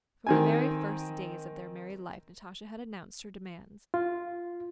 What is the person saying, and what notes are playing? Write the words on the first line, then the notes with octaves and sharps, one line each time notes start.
From the very first days of their married life Natasha had announced her demands.
D#3 C4 G#5
F4